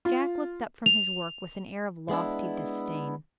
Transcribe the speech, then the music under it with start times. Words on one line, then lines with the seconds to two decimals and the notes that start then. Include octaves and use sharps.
Jack looked up from his work with an air of lofty disdain.
0.05 F4
0.86 F7
2.10 G#3 B3 D4 E4